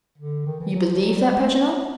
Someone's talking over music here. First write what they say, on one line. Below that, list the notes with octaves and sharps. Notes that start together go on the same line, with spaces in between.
"You believe that, Paganel?"
D3
D#3
E3
F#3
F3
F#3
G3
G#3
A3
C4
B3